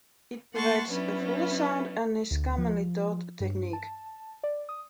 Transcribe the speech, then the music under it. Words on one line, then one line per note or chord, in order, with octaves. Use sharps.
It provides a fuller sound and is a commonly taught technique.
A#3 F#5 A5 C6 C#6
F#3 B3 C#4 D4 E4
D2
F3
G2
A5
D5
D#6